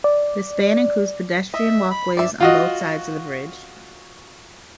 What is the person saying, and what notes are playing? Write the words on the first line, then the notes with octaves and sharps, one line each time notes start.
The span includes pedestrian walkways on both sides of the bridge.
D5
D#5 E5
B5
G2 D5 E5
F4 F#4 D#5